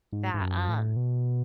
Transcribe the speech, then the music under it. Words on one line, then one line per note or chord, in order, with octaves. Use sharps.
that, um
G#2
G#2
F#2
A2
B2